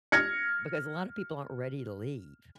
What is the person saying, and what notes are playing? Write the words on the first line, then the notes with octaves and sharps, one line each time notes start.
because a lot of people aren't ready to leave,
F6 G#6 A#6 C#7